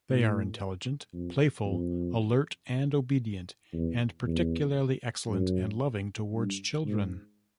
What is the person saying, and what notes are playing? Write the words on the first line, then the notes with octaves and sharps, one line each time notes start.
They are intelligent, playful, alert, and obedient, and particularly excellent and loving toward children.
A2
F2
F2
E2
E2
F#2
G2
G#2